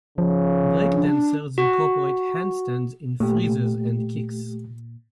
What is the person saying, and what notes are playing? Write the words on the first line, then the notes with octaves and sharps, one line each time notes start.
Breakdancers incorporate handstands in freezes and kicks.
C#3 F3
D4
F#4
A#2 A3 G4